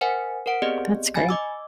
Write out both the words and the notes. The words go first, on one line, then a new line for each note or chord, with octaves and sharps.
That's great.
A#4 C5 E5 F#5 G#5
A#4 C5 F#5 D7
B3 C4 G4 G#4 D5 D#5
G#5 B5 A6
D#5 D6 E6